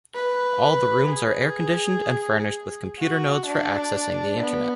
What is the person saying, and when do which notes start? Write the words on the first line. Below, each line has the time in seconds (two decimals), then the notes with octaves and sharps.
All the rooms are air-conditioned and furnished with computer nodes for accessing the Internet.
0.15 B4
1.09 G#4
2.99 F#4
3.47 D4
4.41 B3